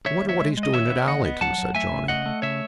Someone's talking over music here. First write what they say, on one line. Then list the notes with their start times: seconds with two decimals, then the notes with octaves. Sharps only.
"I wonder what he's doing at Allington?" said Johnny.
0.06 D#2 C#5 E5
0.23 D#2
0.29 C#5 E5
0.40 G#3
0.57 G#3
0.63 D#5
0.74 D#2 C#5 E5
0.91 B3
1.07 D#2 D#5 F#5
1.25 B3
1.41 F#3 F#5 A5
1.58 F#3
1.75 A3 E5 G#5
1.92 C#3
2.08 A3 D#5 F#5
2.26 A3
2.42 C#3 C#5 E5